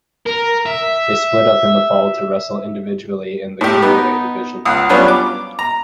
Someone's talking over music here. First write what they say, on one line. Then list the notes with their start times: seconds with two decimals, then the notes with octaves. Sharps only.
They split up in the fall to wrestle individually in the cruiserweight division.
0.26 A#4
0.66 E5
3.61 A2 G4
3.82 B3 D#4
4.65 C#2 F#5 D#6
4.89 F#3 G3 B3 C#4 D4 F4
5.08 D6
5.59 A#5